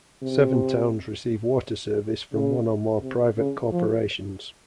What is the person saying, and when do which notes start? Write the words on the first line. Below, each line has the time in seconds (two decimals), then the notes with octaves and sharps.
Seven towns receive water service from one or more private corporations.
0.22 C3
2.33 C#3
3.02 C3
3.37 C#3
3.72 F3